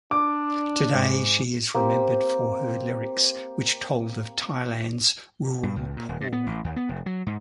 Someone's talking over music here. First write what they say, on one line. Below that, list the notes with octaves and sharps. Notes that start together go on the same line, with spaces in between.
Today she is remembered for her lyrics, which told of Thailand's rural poor.
D4 D6
G#2
A#3 C4 G4
G2
C#2
A#2
D#1
G2
B3
A1
D#2
B3
F1
F#3
G#2